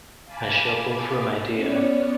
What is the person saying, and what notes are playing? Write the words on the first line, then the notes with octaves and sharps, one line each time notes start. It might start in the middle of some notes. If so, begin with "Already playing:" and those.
I shall pull through, my dear!
F5 G#5 A5 B5 D6 A6
B3 C#4 C#5 D5